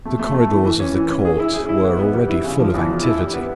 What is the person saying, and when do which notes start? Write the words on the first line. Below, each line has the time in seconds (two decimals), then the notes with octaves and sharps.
The corridors of the Court were already full of activity.
0.05 A3
0.19 A3
0.35 A3
0.50 E3
0.64 E3
0.80 C#4
0.94 E3
1.09 C#4
1.25 G#4
1.39 E4
1.54 G#4
1.69 E4
1.84 B3
1.99 B3
2.13 G3
2.29 E4
2.44 C#3
2.59 F3
2.74 E2
2.88 F3
3.03 E4
3.18 G3
3.33 B3